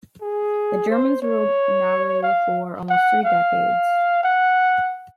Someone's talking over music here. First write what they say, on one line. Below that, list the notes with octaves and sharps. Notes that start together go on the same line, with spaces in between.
The Germans ruled Nauru for almost three decades.
G#4
C5
C#5
F5
F#5
F5
F#5